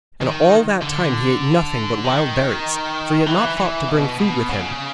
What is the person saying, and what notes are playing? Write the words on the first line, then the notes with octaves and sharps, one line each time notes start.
And all that time he ate nothing but wild berries, for he had not thought to bring food with him.
D#3
D3
D#3
E3
E3
B2
B2
C#3